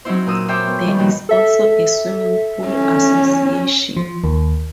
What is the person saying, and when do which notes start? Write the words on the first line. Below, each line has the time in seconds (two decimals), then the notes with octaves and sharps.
There is also a swimming pool association.
0.05 F#3 C4 C#4 D#4 E4 C5
0.26 A#2 A#4 D#6 E6
0.48 C5 C#5 E5 G5 G#5 D6
0.67 B3
0.84 D#3 F3 G3 B3
0.99 A#2 G3 A#3 D#4 F#4
1.29 A4 E5
2.68 C#4
3.97 F3
4.24 D#2